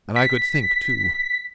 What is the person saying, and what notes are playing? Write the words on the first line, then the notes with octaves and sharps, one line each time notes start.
And I could think, too.
B6